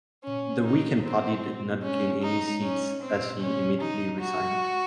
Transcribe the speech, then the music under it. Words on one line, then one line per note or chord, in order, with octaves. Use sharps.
The weakened party did not gain any seats and he immediately resigned.
C#4
D#4
C4
C#4
D#4
C#4
C4
C#4
D#4
F#4